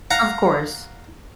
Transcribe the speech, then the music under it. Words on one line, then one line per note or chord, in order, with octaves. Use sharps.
Of course.
F5 F#5 A#5